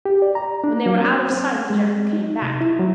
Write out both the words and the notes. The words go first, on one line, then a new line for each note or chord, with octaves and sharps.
When they were out of sight the jackal came back.
G4
D5
A#5
D4
F#3
C4
C4
G#3
D#4
C3
E4
F#3